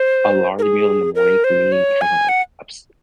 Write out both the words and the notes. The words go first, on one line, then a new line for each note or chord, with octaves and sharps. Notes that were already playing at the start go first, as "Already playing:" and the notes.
a large meal in the morning for me kinda, like, ups
Already playing: C5
A#4
G#4
A#4
C5
C#5
G#5
F#5